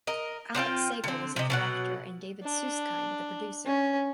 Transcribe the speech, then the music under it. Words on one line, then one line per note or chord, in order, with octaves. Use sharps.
Alex Segal was the director and David Susskind the producer.
A#4 D#5
C4 D4 F4 G5
D3 C4
C3 D#5
B2 F#3 F#5
D4
C#4